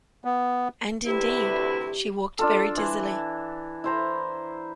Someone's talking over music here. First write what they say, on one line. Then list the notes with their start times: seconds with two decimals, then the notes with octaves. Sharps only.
And indeed, she walked very dizzily.
0.24 B3
1.06 D2 C3 E4 G4 B4
2.39 D4 F4 A4
2.77 E3
3.84 E4 C5 A#5